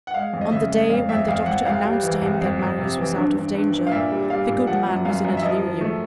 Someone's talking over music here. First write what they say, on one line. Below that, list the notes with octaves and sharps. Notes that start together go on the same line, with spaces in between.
On the day when the doctor announced to him that Marius was out of danger, the good man was in a delirium.
F#5
G#3 F5
F2
D#5
C#3 E5
G#3
F2 F5
F2 E5
F2 F5
F2 F#5
C2 F5
G3
E3
C2
F2
F2
C3
E3
G2
G2
G2
G2
F5
A#2 E5
G3
G3 F5
A#2
F3 F#5
F#2
F#2 F5
F#2
E5
F3 D#5
F3
A3